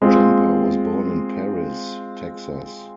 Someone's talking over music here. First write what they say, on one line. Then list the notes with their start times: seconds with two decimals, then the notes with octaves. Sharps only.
Jumper was born in Paris, Texas.
0.02 G#3 C4 F4